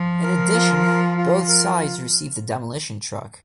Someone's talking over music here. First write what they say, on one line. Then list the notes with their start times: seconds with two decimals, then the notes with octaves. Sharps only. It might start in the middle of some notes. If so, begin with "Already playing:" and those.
In addition, both sides receive the "Demolition Truck".
Already playing: F3
0.23 A#4
0.54 F4
0.86 F4
1.17 F4
1.49 A#4